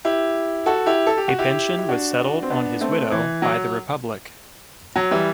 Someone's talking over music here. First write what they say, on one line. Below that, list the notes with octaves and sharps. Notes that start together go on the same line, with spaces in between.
A pension was settled on his widow by the Republic.
E4 G4
F#4 A4
E4 G4
A4
G4
F#4
E4 G4
E4
D4 F#4
C4
B3 D4
A3 C4
E3
F#3
F#3
E3 G3